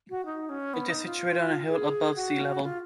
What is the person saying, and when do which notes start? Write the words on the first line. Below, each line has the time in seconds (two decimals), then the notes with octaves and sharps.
It is situated on a hill above sea level.
0.10 F#4
0.25 D#4
0.49 C#4
0.73 B3
0.89 D#4
1.05 F4
1.68 G#4
2.16 F#4
2.63 F4